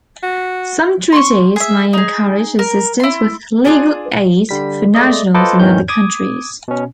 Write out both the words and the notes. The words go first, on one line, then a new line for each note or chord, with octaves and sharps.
Some treaties may encourage assistance with legal aid for nationals in other countries.
F#4
C6 C#6
G#4 E5
D#4 G#4
A#4
E4 C6
D4 F4 G4 G#4 D5 G#5
D3 G3 B6
G#3 A3 D5 D#5
F4 A4 B4 C5 D#5 D6
E2 G#2 D#3 E3 C#4 G6
D6 D#6 G#6
B2 C#4